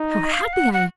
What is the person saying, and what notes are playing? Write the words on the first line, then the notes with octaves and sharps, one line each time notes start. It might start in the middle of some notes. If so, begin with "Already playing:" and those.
How happy I am!
Already playing: D#4
D#5
F5
F#5
F#5